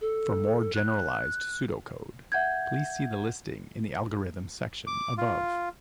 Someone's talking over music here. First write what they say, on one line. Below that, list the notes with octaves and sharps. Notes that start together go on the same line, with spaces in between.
For more generalized pseudocode, please see the listing in the Algorithm section above.
A4
F#6
E5 F#5 G6 G#6
D6
F4